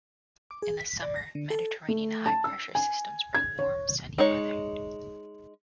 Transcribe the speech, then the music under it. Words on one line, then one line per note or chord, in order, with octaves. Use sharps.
In the summer, Mediterranean high-pressure systems bring warm, sunny weather.
D6
G#4
B6
D5
A#6
D3
A4
A3
A5
E6
G#5
G#6
C#5
G#3 D#4 C#5